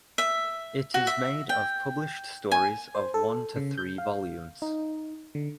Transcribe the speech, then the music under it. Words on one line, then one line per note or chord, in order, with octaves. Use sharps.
It is made of published stories of one to three volumes.
E5
F#4
E5
G5
G#5
C5
A4
C#3
G6
F5
D#4
D3